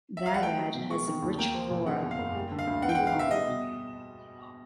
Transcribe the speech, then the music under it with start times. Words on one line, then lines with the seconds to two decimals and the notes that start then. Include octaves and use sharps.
Vagad has rich flora and fauna.
0.17 E5
0.26 F5
0.34 F#5
0.42 A3 G5
0.58 F#3
0.74 B2
0.90 G#3 C#6
1.07 D#3
1.22 D#2
1.39 A#3 G5
1.55 F3
1.70 A#2
1.86 C#3 F#5
2.03 E2
2.11 F5
2.18 F#1
2.35 G3
2.51 D3
2.59 F5
2.67 D2
2.82 B3 F#5
2.89 G5
2.95 F#5
2.99 G#3
3.07 F5
3.15 B2 E5
3.31 G3 D#5
3.47 B2